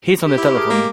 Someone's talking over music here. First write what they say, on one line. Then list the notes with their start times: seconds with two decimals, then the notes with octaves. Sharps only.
He's on the telephone.
0.24 G4
0.38 E4 D6
0.55 A3 G#4 A#4 D6
0.70 G#3 A#3